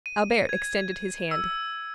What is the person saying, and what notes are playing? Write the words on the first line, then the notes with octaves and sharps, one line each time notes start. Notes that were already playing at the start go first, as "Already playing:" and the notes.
Albert extended his hand.
D#7
G#6
E6